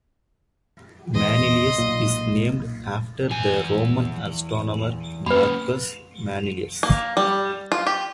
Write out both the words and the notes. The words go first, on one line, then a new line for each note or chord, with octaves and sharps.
Manilius is named after the Roman astronomer Marcus Manilius.
E2 D#5 C6
B1 A#2
E2 G#5
A#3 C#4 B4 B5
A#3
G3
F4
G4